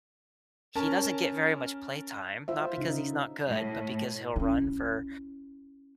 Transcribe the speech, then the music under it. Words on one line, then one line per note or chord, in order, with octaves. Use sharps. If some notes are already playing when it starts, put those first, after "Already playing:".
He doesn't get very much playtime, not because he's not good, but because he'll run for
C#4 A#4 A5
F4 C5 E5
C#3 D#4
A2
C#4 E4